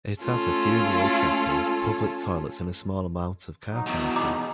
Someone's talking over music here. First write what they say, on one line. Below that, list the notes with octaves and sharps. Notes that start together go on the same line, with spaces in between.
It has a funeral chapel, public toilets and a small amount of car parking.
A3 C#4 F4 A4
F#3 D#4
E2 B2
D#5 A#5 D6